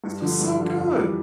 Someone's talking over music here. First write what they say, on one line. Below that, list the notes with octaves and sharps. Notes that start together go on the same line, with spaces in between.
this was so good.
G2
D3 F3
G2
D3 F3
F2
E3 G3